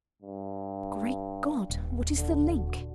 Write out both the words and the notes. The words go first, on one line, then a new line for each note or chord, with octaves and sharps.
Great God! what is the link?
G2
D#1
D3
F#4